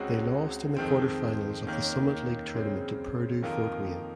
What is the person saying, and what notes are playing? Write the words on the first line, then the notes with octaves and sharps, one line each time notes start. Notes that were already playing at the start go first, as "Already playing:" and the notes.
They lost in the quarterfinals of the Summit League Tournament to Purdue Fort Wayne.
Already playing: C#2 C#3 G#3 C4 F#4
F2 D#3 G#3 C4
D#2 D#3 A#3 C#4
F#2 C#3 G#3 C4
F2 D#3 A#3 F4 A#4